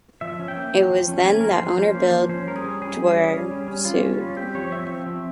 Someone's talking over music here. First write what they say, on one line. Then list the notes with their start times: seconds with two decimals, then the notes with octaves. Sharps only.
It was then that owner Bill Dwyer sued.
0.21 F3 E5
0.39 C#4
0.48 G5
0.56 A#3
0.74 F3
0.91 F3
1.08 C#4
1.25 A#3 G#5
1.41 F3 A#4
1.51 C5
1.60 F3
1.77 C#4 C5
1.95 A#3
2.11 F3
2.29 C#4 C5
2.47 G3 A#4
2.56 G#4
2.64 C#4
2.82 G3 G#4
2.99 C#4
3.07 G#4
3.16 G3
3.34 C#4
3.51 G3
3.68 C#4
3.85 G3 F4
4.03 C#4
4.20 G3
4.37 C4 G4
4.55 F3 C#5
4.72 C4 E5
4.89 F3
5.06 C4